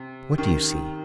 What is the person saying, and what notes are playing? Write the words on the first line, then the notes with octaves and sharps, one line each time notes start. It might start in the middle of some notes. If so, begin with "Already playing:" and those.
"What do you see?"
Already playing: C3
D#3